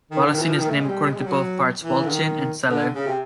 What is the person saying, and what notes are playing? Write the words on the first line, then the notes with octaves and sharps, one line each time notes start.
Wallisellen is named according to both parts "Walchen" and "Seller".
D#3
D3
D#3
E3
F3
D#3
A3
G#3
G3
G#3
G3
F#3
E3
D3
D#3
D3
C#3
C3